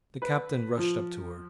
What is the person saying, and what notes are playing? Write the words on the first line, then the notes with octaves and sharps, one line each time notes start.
The captain rushed up to her.
B4
F3